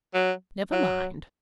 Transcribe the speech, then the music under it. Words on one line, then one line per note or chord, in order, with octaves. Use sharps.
Never mind.'
F#3
F#3